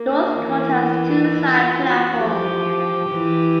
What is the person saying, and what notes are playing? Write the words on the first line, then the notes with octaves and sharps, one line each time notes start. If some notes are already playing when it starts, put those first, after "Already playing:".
Northcote has two side platforms.
Already playing: A#3
E3
E4
F4
F#4
F3 G4
E3